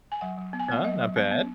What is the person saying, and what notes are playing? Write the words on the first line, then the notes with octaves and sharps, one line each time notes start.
Uh, not bad.
G#5
F#3 F#5
F#3
B3
G#5
B3 F#5
F#3 D#5
F#3
B3
B3